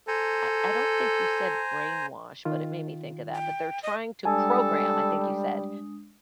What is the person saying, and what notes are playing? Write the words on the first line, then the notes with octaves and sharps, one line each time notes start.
I I don't think you said brainwash, but it made me think of that, but they're trying to program, I think you said,
A4 C5 G#5 A#5
D#3 F4
G5
D#5
G3 G#3 D4 A4 G#5 A5 D#6